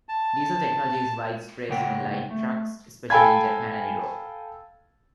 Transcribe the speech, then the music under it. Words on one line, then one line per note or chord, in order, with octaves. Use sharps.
Diesel technology is widespread in light trucks, especially in Japan and Europe.
A5
A2 C#3 A#3 A#4 F#5 G5
A3
A4 F5 G5 G#5 B5 G#6